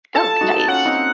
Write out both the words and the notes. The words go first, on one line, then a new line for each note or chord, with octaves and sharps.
Oh, nice.
F4 A4 A5
D#4 F#4
C#4 F4 F#5
C4 D#4